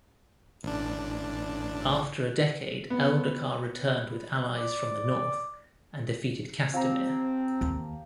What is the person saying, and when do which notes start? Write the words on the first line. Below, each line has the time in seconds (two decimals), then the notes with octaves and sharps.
After a decade Eldacar returned with allies from the North and defeated Castamir.
0.63 A1 D4
2.90 B3
4.56 D5
6.73 F3 C4 G4 A#5
7.61 D#2